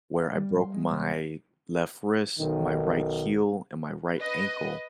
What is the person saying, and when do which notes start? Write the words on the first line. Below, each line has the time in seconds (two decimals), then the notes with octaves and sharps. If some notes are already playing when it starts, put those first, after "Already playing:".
where I broke my left wrist, my right heel, and my right ankle,
0.17 F5
0.34 G3
0.59 C6
0.73 G#3
0.91 C3
2.39 B1 D#3
4.18 B4 D#5